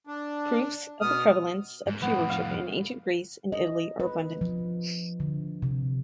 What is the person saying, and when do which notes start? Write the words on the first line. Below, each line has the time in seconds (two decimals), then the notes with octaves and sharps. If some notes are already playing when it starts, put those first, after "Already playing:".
Proofs of the prevalence of tree-worship in ancient Greece and Italy are abundant.
0.07 D4
1.01 B2 B3 D#6 F6
1.87 G#2
2.02 F2 A2 B3
2.30 F5
3.52 D#5
4.00 B4
4.41 F3
5.20 D3
5.62 C3